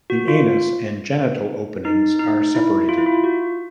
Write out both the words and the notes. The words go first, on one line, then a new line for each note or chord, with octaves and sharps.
The anus and genital openings are separated.
F#4
F4
D#4
D#4
E4
F4
E4
F4
F#4